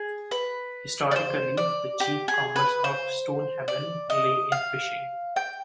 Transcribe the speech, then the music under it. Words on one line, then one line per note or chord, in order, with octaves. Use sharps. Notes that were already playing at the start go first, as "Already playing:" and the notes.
Historically the chief commerce of Stonehaven lay in fishing.
Already playing: G#4
B4
D5
C5
D5
G4
G#4
B4
C5
D5
D#5
F5
G5